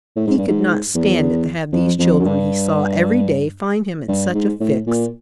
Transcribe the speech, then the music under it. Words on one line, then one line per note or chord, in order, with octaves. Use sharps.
He could not stand it to have these children he saw every day find him in such a fix.
A2
G#2
G2
G#2
E2
F2
F2
F#2
G2
G2
G#2
A2
A#2